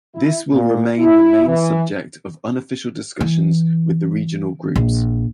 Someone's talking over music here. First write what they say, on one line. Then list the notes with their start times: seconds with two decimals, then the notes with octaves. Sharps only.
This will remain the main subject of unofficial discussions with the regional groups.
0.15 E4
0.53 A#2
0.99 E4
1.47 E3
3.21 E3
4.76 A#1